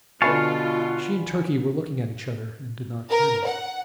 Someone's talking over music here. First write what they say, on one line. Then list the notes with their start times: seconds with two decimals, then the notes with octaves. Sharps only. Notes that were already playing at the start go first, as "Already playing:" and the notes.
She and Turkey were looking at each other, and did not hear me.
0.22 B2 D3 F4 B4 F5 G#5 A5 C#6
3.10 A#4
3.46 F#5